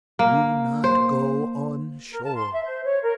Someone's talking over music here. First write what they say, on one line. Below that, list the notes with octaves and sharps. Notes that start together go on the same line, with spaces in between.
Do not go on shore.
A#3
C5
A#4
A5
C6
E5
C5
C#5
A#4